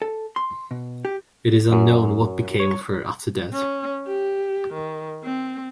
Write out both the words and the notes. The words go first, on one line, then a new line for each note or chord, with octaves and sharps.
It is unknown what became of her after that.
A4
C6
B2
G4
F#2
C#5
C#4
G4
D#3
C4